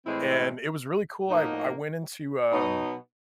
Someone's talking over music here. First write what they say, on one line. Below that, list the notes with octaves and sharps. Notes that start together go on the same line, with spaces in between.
and, it was really cool, I I went into, um,
A2 E3 G#3 C4 E4
A2 F3 A#3 D#4 F#4
B2 F#3 B3 D#4